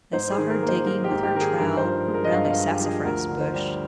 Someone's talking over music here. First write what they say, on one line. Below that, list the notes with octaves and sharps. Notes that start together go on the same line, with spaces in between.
They saw her digging with her trowel round a sassafras bush.
G#2 C5
G#4
D#3
A#4
A#3
C5
G#2 A#4
G4
G#2
G4
D#3 A#4
G#4
G2 A#4
C5
F3
G#3
A#4
D#5
G2 F5
F5
G2
G4
F3
G#4
D2 A#4
D3
C5
G3